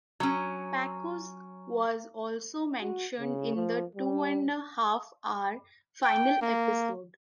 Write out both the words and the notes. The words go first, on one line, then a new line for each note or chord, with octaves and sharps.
Packo's was also mentioned in the two-and-a-half hour final episode.
F#3 C#4
F#4
C#3
F3
G3
G5
A#3